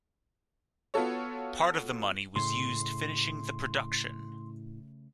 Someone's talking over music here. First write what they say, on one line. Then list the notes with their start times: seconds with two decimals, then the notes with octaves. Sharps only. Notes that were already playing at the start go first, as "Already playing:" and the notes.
Part of the money was used finishing the production.
0.94 B3 F4 F#4 A4 C#5
2.36 A2 C#3 A3 C6